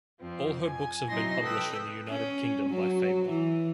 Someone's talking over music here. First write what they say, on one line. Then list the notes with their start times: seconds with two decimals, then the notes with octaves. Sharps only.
All her books have been published in the United Kingdom by Faber.
0.20 F2 F3 C4
0.64 G#5
1.08 C3 F#3 D#4 E4 C6 A#6
1.41 A4 B4 G5 D#6 E6 F#6
2.08 C#4
2.70 F#3
3.29 E3